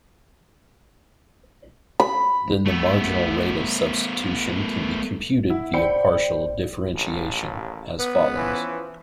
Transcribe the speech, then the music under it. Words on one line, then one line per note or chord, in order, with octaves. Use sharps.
Then the marginal rate of substitution can be computed via partial differentiation, as follows.
B5
A3 B3
E4 F#5 E6
C5 D5 G5 B5 C#7
A1 D#2
B3
E3 F3 C#4